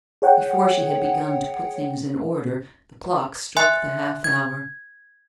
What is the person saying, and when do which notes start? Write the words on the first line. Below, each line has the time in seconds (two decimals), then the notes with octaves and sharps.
Before she had begun to put things in order, the clock struck the half-hour.
0.22 G#4 C#5 F#5 G5
3.57 E5 G#5 C6 F#6
4.24 G#6